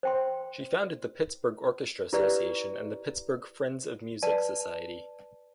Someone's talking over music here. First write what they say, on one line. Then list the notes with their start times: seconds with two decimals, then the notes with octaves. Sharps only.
She founded the Pittsburgh Orchestra Association and the Pittsburgh Friends of Music Society.
0.03 C5 G5 C6
2.13 E4 G4 B4 D5
4.23 B4 D5 A5